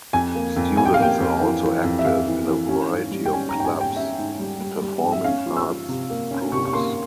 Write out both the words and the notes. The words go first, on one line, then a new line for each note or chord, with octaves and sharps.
Students are also active in a variety of clubs and performing arts groups.
F2 G#5
A#3
F2
F2 G#5
G5
F5
A#3 G5
F2
E3
E3
F2
E5
F2 F5
E3
E3
C#4
G#2
G3
G5
C#4 G#5
A#5
G#2
G5
G#5
G#2
G5
C#4 E5
G#2
G3
G3
G3
G#2
E5
C#4 F5
F3
E6
F3
C3
A#3
C#4
C3 C#6
C#6
A#3 C6